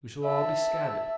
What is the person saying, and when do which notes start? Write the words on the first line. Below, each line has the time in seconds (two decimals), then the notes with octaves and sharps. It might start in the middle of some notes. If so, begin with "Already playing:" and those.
We shall all be scattered.
0.24 E5 A5